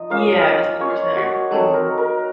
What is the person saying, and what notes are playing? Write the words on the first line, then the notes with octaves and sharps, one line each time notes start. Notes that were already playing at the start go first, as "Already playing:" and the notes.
Yeah, the Supercenter, mhm.
Already playing: F3 D#4 D#5
A#3 C#4 F4 F5
D#5
A#3 C#4 F4 C#5
F#4
F#3 C4 D#4 A4
A#4
A#4